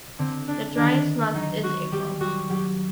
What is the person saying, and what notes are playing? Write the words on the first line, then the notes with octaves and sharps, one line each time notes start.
The driest month is April.
D3 C4
D4
D#3 D4
F#3 D#4
F#4
G3 G4
G3 F#4
F#3 G4